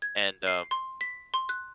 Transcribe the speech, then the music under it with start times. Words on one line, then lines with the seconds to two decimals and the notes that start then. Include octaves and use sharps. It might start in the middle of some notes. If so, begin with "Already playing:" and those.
and, um
0.02 G#6
0.47 C7
0.71 C6
1.01 B6
1.34 C6
1.49 F#6